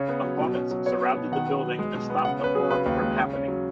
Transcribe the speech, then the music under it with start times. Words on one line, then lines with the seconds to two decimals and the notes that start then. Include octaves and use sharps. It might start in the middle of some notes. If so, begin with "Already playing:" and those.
Opponents surrounded the building and stopped the forum from happening.
Already playing: C#3 C#5
0.09 B3
0.24 F#3
0.40 B2
0.55 C#4
0.71 F#3
0.86 B3 C#5
1.01 B3
1.17 B2
1.32 D#3 F#5
1.48 B3
1.63 F#3
1.79 G#3
1.95 B2
2.10 B3
2.25 C#3 F#5
2.40 C#4 B4
2.55 F#3 G#4
2.71 C#3 B4
2.86 D#2
3.01 G#3
3.18 C#3
3.33 C#4
3.48 F#3